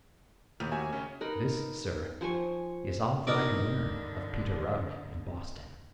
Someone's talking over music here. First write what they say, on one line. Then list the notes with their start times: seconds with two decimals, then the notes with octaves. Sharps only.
This, sir, is all that I could learn of Peter Rugg in Boston....
0.60 D#2
0.72 F#4 E5 G#5
0.92 C#3 C#4
1.21 D#4 A#4 B4
2.21 F3 C5 G#5 C#6
3.27 G2 D3 D#4 A#4 D5